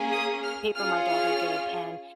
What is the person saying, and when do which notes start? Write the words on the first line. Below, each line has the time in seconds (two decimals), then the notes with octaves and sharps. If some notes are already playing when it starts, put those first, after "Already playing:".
paper my daughter did, and
Already playing: A#3 C#4 G#4
0.12 D#6
0.43 F6
0.75 C#4 F4 G#4 F6
1.07 F6